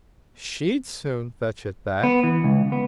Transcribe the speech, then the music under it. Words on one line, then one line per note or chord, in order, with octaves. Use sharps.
'She'd soon fetch it back!'
B3
E3
C#2
B3